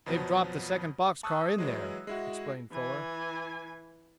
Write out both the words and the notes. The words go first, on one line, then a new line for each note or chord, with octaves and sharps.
"They've dropped the second box-car in there," explained Fuller.
F2 B2 F3 F#3
A5 C#6 D#6 E6 F#6
E3 F#3 G#3
G#3 E4 F#4
E3 G#5